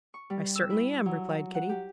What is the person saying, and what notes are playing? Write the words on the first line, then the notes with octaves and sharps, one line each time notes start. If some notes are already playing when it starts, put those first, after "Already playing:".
"I certainly am," replied Kitty.
C#6
G3
E6
E4
F#3
F#5
G4